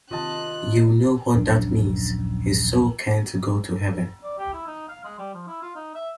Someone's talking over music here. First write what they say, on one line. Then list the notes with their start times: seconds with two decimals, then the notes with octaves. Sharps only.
You know what that means; his soul can't go to heaven.
0.11 C3 D#3 F4 D#5 A5 F#6
1.34 D#1 A#1 F#2 D4
4.23 D5
4.38 G4
4.53 E4
4.67 D#4
4.89 F5
5.04 G#3
5.19 G3
5.34 F3
5.47 E4
5.62 F4
5.75 D#4
5.95 E5